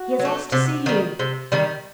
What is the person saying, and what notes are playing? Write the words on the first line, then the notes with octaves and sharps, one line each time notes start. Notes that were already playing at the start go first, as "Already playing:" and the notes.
He has asked to see you.
Already playing: F#4
F#3
A3
C3
D#3 G3
C3
D#3 G3